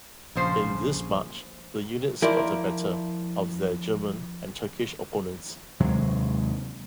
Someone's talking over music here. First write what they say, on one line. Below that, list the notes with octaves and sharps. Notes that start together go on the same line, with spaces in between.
In this march the units got the better of their German and Turkish opponents.
A#1 C#3 F3 C5
F3 E4 A#4 D5
D#2 C3 F#3 G#3